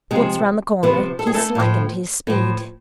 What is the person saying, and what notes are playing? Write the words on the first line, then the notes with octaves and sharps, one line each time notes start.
Once round the corner he slackened his speed.
C3 F3 G#3 G#4
C3 F3 B3 B4
A4
G#4
A3 A4
A2 F3
A2 F3